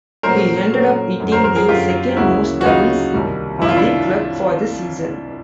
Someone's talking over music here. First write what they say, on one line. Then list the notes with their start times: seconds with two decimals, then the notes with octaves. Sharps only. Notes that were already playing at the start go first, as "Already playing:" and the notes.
He ended up hitting the second-most doubles on the club for the season.
0.23 A#2 F#3 A3 C#4 A#4 C5
0.71 A#2 F#3 A3 C#4
1.20 F#2 D3 F#3
1.32 A#4 C5
1.44 A#4 C5
1.56 G#4 A#4
1.68 F#2 D3 F#3 F4 G4
2.16 D2 C#3 F#3 A#3 C#4 E4 F#4
2.61 F#4
2.65 D2 C#3 F#3 A#3 C#4 D#4 F4
3.13 C2 C3 D#3 G3
3.61 C2 C3 D#3 G3 E4
3.69 F4
3.77 D4 E4